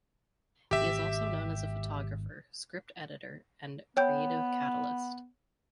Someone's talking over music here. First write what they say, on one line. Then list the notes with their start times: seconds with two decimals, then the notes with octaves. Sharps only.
He is also known as a photographer, script editor, and creative catalyst.
0.71 G#1 B2 G4 E5
3.97 B3 C#5 G5 G6